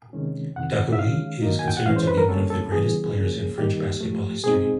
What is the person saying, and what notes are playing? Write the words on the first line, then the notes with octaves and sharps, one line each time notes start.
Dacoury is considered to be one the greatest players in French basketball history.
C3 D#3 G#3 C#4
F2 C3 D#3 F#5
E5
D#3 G#3 C#4 F5
D#3 F#3 A#3 D#4
G#5
G5
F#5
G#2 E3 G#3 C#4 F5
C5
B4
A#4
D3 G3 A#3 C#4 A4
A4
C#3 E3 G3 B3 G#4
C#3 F3 A#3 C#4
D#3 G3 A#3 D#4 G4
G#2 F3 A3
B2 G#3 C4 D#4 G#4